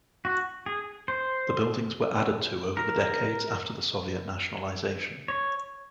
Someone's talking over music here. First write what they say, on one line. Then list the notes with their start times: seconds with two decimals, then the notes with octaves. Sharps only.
The buildings were added to over the decades after the Soviet nationalisation.
0.25 F#4
0.66 G#4
1.08 C5
2.77 A#4
5.28 C#5